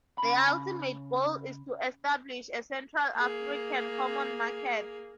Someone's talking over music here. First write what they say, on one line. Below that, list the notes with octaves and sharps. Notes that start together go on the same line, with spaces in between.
The ultimate goal is to establish a Central African Common Market.
C#3 B5
A#3 G#4